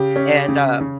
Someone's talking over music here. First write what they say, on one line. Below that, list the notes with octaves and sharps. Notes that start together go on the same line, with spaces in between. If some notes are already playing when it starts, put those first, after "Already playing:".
and uh,
Already playing: C#3 G4
C#4
C#3
C#3